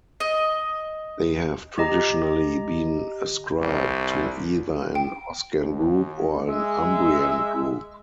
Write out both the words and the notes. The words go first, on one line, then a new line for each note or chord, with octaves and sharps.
They have traditionally been ascribed to either an Oscan group or an Umbrian group.
D#5
G4 D#5 A#5
C2
G5
D#2
G#3 E5